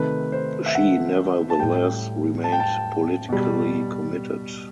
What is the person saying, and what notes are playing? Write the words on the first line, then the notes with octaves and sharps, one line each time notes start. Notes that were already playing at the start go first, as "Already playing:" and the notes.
She nevertheless remained politically committed.
Already playing: C3 D#3 A3 B4
C5
E5
F#5
A5
A2 G3 G5
A5
G5
A5
B2 G3